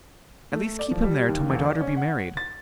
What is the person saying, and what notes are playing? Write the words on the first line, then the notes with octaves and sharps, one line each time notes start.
"At least keep him there till my daughter be married."
A3
D5
F3
G3
D#2
E1
D5
C#4
F#5
A6